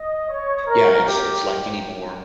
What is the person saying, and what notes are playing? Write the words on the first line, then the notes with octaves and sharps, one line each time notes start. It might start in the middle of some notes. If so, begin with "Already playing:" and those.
yeah, it's it's like anymore
Already playing: D#5
C#5
A#4
G4